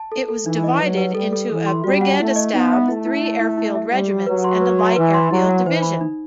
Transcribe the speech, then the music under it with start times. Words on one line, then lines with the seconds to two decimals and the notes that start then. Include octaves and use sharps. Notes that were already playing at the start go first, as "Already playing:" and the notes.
It was divided into a brigadestab, three airfield regiments, and a light airfield division.
Already playing: A5
0.12 A4
0.29 A4
0.45 E3 D#4
0.64 D#5
0.80 F#3 B4
0.97 B4
1.14 G3 A4
1.33 A4
1.49 E3 A4
1.66 C6
1.84 G3 F#4
2.01 F#5
2.20 A3 E4
2.36 D#5
2.53 B3 D#4
2.72 E5
2.88 A3 E4
3.06 E4
3.23 E4
3.41 E4
3.58 E4
3.75 E5
3.92 G3 G4
4.10 G4
4.26 F#3 B4
4.44 C6
4.61 B4
4.79 C6
4.96 E3 B4
5.14 C6
5.31 F#3 E4
5.49 F#5
5.66 E3 C5
5.82 B5
6.01 D#4